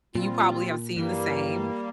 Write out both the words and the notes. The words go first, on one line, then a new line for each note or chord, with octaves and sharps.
you probably have seen the same.
A#2 G3 C4 F4
G2 E3 G3 A#3